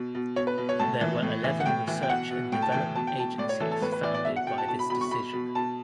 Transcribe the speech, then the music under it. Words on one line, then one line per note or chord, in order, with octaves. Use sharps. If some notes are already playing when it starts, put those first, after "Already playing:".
There were eleven research and development agencies founded by this Decision.
Already playing: B2
B2
B2 C#5
B4
B2
C#5
A2 A5
E3
A2
E3
F#5
A2 G5
E3
G5
B2 F#5
B2
A2 G5
A5
E3 G5
B2 A5
G5
B2 A5
A2 D5
C#5
E3 A4
A4
A2 B4
B4
E3 D5
D5
B2 E5
F#5
B2 G5
A5
B2 A5
B5
B2 B5
C#6
B2 B5
B2
B2 A5